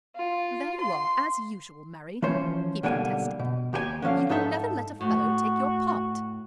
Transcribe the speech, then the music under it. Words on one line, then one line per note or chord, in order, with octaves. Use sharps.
"There you are, as usual, Mary!" he protested; "you will never let a fellow take your part!"
F4
C6
E3 F3 C#4 C5 C#5
B1 D3 G3 A#3 G5 G#5
B2
D#2 G4 B4 G#5
D3 F3 C#4 F5
G#2 D#4 G4 A4 C5 E5
A2 F#4